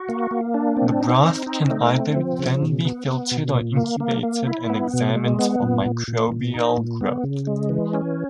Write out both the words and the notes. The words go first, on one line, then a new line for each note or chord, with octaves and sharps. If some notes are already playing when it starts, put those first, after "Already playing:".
The broth can either then be filtered or incubated and examined for microbial growth.
Already playing: F#4
A#3
A#3
D4
C4
D#4
C4
D#4
A3
C4
F3
C#3
B2
B3
B3
B2
A#2
A#3
A#3
A#3
E4
B3
B2
G#3
B3
A#2
A#2
A#2
A#2
D#4
A#2
B3
C#3
G#3
E3
C#4